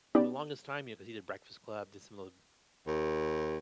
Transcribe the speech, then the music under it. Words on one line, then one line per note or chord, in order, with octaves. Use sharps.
for the longest time, you because he did Breakfast Club, did some of
B3 C#4 D#4 G4 D5
D#2